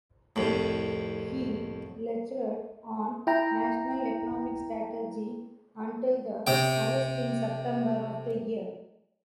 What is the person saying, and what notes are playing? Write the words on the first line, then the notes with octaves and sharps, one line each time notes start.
He lectured on "national economic strategy" until the arrest in September of the year.
C2 F2 A2
E4 G5 A#5
C3 G5